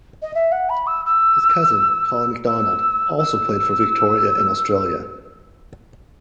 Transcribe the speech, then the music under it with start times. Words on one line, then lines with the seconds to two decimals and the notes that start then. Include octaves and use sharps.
His cousin, Colin McDonald, also played for Victoria and Australia.
0.22 D#5
0.35 E5
0.52 F#5
0.69 B5
0.87 E6
1.06 E6
2.47 E6
3.18 E6